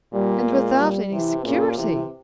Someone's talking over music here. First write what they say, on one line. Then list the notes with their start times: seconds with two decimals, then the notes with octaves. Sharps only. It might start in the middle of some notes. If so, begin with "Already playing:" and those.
"And without any security!"
0.13 A#2 G3
0.46 G#3
0.79 G3
1.12 C3 E3
1.44 A#2 C#3
1.77 C3 E3